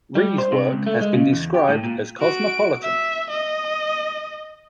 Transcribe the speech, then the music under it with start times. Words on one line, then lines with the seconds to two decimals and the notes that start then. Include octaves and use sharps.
Rie's work has been described as cosmopolitan.
0.15 G3
0.38 C5
0.52 C3
0.72 C#2
0.87 A3
1.01 G#3
1.13 C#3
1.33 E2
1.54 G4
1.69 A2
1.84 A#2
2.20 F#4 D7
2.83 E5
3.30 D#5